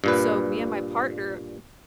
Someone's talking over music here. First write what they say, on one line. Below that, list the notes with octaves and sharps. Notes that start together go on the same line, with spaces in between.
so me and my partner
G2 A#2 B4